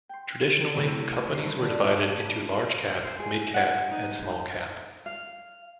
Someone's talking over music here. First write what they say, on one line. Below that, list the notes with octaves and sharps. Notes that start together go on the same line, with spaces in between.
Traditionally, companies were divided into large-cap, mid-cap, and small-cap.
G5 C6
F#2 A2 C3 A3 C4
G2 C7
D4 G4
C5
G#4
F#5
D#4
F5